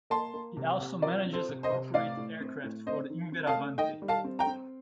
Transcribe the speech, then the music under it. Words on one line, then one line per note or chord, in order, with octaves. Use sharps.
It also manages a corporate aircraft for Inveravante.
A#3 A5 C6
A#3
C3
C3
F3 A#4 D5
C4
A4 C5
C3
C5 D#5
C3
A2 D5 F5
A2
C4
A2
C4 C5 D#5
D#3
C4
F5 A5
A3
D#3 D#5 G5
G3
F5 A5
C4
G5 A#5
C4